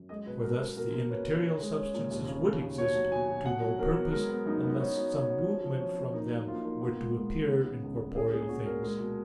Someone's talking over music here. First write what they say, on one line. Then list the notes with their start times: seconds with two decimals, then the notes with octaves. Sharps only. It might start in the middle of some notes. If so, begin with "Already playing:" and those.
For thus the immaterial substances would exist to no purpose, unless some movement from them were to appear in corporeal things.
Already playing: F#2
0.09 G#3 D#5
0.26 B2 B4
0.43 B2 A#4
0.59 B2 A#4
0.77 B2 A#4
0.94 A#3
1.10 C#4 B4
1.27 B2
1.44 C#4
1.61 G#3
1.77 C#4
1.94 A#2
2.11 D#2
2.28 C#3
2.45 D#2
2.61 D#2
2.78 B2 C#5
2.95 F#3
3.12 B2 G#5
3.29 B2
3.45 B2 F#5
3.62 F#3
3.79 F#3 A#4
3.96 B3
4.13 G#3 A#4
4.30 B3
4.46 F#2 D#4
4.63 B3
4.80 C#4 D#4
4.97 F#3
5.13 C#4
5.30 F#3
5.46 F3
5.64 F3
5.80 F2 C#4
5.97 F3
6.14 A#3 D#4
6.31 F#3
6.48 A#3 F4
6.56 D#4
6.62 A#3 F4
6.81 B3
6.98 G#2
7.14 G#3
7.31 D#3
7.49 B3
7.65 C#3
7.82 C#2
7.99 C#2
8.16 C#4 G#4
8.32 A#2 G#4
8.49 A#2 F#4
8.66 A#2 A#4
8.83 G#3
8.99 B2